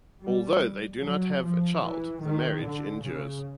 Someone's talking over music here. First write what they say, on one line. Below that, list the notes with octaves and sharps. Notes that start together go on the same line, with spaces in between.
Although they do not have a child, the marriage endures.
G3
F#3
F3
E3
D#3
D3
C#3